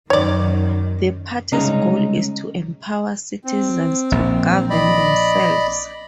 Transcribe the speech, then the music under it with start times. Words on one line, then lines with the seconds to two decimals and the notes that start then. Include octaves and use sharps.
The party's goal is to empower citizens to govern themselves.
0.10 F#2 D#3 C#5 D5
1.52 C2 C#3 G#3 C#4 D#4 A#5
3.45 C4
4.12 A#1
4.70 D5 D#5 B5